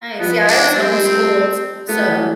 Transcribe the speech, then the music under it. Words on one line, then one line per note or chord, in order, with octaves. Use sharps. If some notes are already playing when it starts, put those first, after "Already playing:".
Nice. Yeah, I was homeschooled. So,
F3 B3
D4
G3 C4
G3
A3
A3 B3
E3